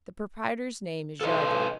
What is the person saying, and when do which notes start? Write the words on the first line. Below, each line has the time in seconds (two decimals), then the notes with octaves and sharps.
The proprietor's name is Yardley.
1.21 B1 E2 F3 A4 B4 D#5